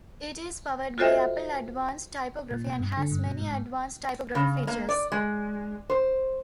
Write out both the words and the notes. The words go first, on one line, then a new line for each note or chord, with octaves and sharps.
It is powered by Apple Advanced Typography and has many advanced typography features.
F4 F#4 A4 C5 D#5 E5
A#2
B2
G2
D3
G2
B2
G#2
G#2
C#3
A#3
D5
G#3
C5